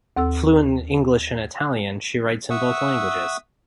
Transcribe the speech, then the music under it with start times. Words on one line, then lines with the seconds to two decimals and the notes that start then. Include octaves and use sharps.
Fluent in English and Italian, she writes in both languages.
0.17 D#2 C4 A4 E6
2.50 E5 F#5 C#6 D#6 E6